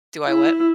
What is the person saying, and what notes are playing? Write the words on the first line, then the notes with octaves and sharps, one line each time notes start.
Do I what?
E4